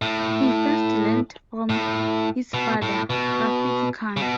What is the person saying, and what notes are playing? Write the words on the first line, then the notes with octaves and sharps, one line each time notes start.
He first learned from his father Rafiq Khan.
A2
A2
B2
A2
B2
C#3
B2